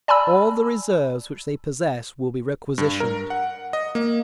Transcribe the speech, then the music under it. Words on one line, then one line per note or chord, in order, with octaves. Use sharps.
All the reserves which they possess will be requisitioned.
D5 G#5 A5 B5 E6
G2
A#4
F#5
D#5
A#3